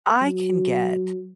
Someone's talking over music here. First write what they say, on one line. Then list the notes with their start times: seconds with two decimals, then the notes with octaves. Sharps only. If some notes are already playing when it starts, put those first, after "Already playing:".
I can get
0.22 F#3